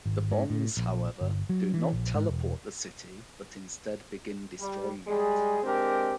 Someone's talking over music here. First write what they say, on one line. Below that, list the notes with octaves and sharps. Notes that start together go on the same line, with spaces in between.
The bombs, however, do not teleport the city but instead begin destroying it.
G#1
G#2
A2
A#1
G1
F#3
E3
A#1
G#2
E1
G3
G3 G#3 G#4
G#3 C4 D4 G4 A#4